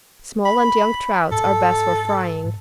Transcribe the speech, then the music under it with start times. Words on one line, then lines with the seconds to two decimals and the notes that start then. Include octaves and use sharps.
Small and young trouts are best for frying.
0.45 B5
1.31 G#2 A4